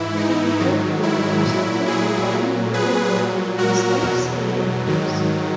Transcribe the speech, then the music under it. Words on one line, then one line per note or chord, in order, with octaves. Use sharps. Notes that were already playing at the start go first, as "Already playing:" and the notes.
The improved rotor resulted in better maneuverability and a slight speed increase.
Already playing: G#2 E3 E4
D#4
G#2 D#3 F#3
E4
A#2 F#3 E4
E4 G#4
A#2 F#3
G#4 B4
A#2 F#3
F#4 A#4
E2 B2 F#3
G#2 D#3 F#3